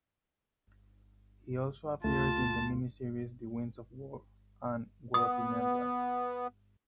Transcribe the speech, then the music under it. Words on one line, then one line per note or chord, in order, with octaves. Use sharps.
He also appeared in the miniseries "The Winds of War" and "War and Remembrance".
D2 A3 F4 A5
B3 D#6